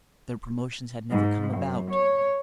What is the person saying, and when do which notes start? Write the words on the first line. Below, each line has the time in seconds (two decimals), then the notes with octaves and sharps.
Their promotions had never come about.
1.11 G#2
1.54 F#2
1.92 C#5